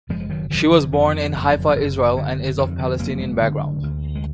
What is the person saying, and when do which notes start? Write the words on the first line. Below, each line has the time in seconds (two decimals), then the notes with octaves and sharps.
She was born in Haifa, Israel and is of Palestinian background.
0.09 F#1 F3 G#3
0.20 F3
0.30 D#3 F#3
0.51 D3 D#3 F#3
0.71 D3 F3
0.92 F2 D#3
1.02 D3
1.19 D3
1.34 F#1
1.76 F#1
2.17 D3
2.58 F2 D#3
2.79 D3 F3
2.99 F#1 F#3 A#3
3.20 G#3 B3
3.41 D3
3.83 D2
4.15 G#3